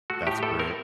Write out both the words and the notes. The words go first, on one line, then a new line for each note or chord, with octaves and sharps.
That's great.
A3 F#4
A2 G4
A2 A4
C4 A#4